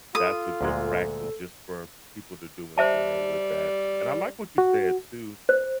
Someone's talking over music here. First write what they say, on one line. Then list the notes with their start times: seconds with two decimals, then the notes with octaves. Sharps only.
that's a good practice just for people to do in general with that. And I like what you said, too,
0.15 F4 A4 D#6
0.61 D2 A#2 G#3
2.78 G3 C5 E5 A5
4.58 F#4
5.49 C5